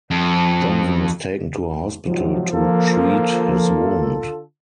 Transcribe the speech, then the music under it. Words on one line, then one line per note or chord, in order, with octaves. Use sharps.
Johnson was taken to a hospital to treat his wound.
F2
G#2 C3 F3 F#3
D3 A#3 F4 A4